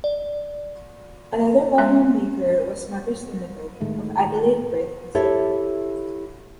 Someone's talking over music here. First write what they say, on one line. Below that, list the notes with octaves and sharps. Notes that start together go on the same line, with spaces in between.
Another well-known maker was Metters Limited of Adelaide, Perth and Sydney.
D5
G#3 B3 C#4 E5 C6
A2 D#3 G#3 A3
E4 G4 A4 C#5 E5